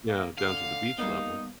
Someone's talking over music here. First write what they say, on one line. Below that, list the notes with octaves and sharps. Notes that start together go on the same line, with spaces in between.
you know, down to the beach level,
A#3
D3 F5
G3 A#3 B3 D#4